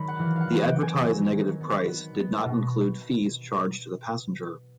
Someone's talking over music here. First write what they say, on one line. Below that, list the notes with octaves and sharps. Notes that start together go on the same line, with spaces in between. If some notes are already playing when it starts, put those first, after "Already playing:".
The advertised negative price did not include fees charged to the passenger.
Already playing: D#3 F#3 B5
F#5
E3 F5
F5 F#5
E3
G5
C4
G#5
F#3
D#3
B3
B3
B3
B2